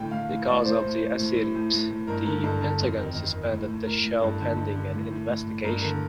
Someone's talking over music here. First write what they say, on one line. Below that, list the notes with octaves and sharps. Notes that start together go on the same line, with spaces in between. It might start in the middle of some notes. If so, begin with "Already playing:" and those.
Because of the accident, the Pentagon suspended the shell pending an investigation.
Already playing: A2 D3 G5
A2 F5
A2
A2 D5
A2 C5
A2
A2
A2
A2
A2
A2
A2
G2 A#4
D3 A#4
G2 A4
D3 A#4
F2
D#3
F2
D#3
A2
A2
A2 A#4
A2
G2 A4
D3
G2
D3
A2
A2
A2
A2
G2 A#4
D3 A#4